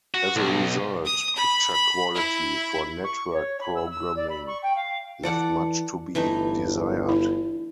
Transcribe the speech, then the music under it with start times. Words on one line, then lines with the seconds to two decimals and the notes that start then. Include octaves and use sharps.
As a result, picture quality for network programming left much to be desired.
0.14 F#4
0.36 B1
1.05 D#6
1.36 B5
1.73 B5
2.14 E4
3.04 C#6
3.33 C#5
3.60 B5
3.75 E6
3.91 E6
4.16 D5
4.30 B5
4.47 C#6
4.63 G5
4.76 F5
5.23 E3 A4 D5 F#5
6.15 G1 E3 A3 D#4
7.09 E4